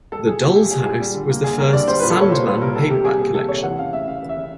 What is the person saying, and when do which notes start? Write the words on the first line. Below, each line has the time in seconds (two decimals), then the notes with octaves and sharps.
"The Doll's House" was the first "Sandman" paperback collection.
0.12 G3 A4
0.27 A#2 G#4
0.41 A#3 G4
0.56 A#2 G#4
0.71 G3 G#4
0.85 A#2 G#4
1.00 G3
1.14 D3
1.29 A#3
1.44 D3 G#4
1.58 G3 A#4
1.73 D3 D5
1.88 G3 C5
1.99 A#2 B4
2.10 A4
2.17 A#3 C#5
2.32 A#2 C5
2.46 G3 B4
2.62 A#2 A#4
2.76 D#3 A4
2.90 C3 G4
3.05 G3 G#4
3.19 A#3 G#4
3.34 D#3 A4
3.49 C3 C#5
3.63 E3 F#5
3.79 C#3 F5
3.93 A3 E5
4.08 C#3 F5
4.22 E3
4.29 E5
4.37 C#3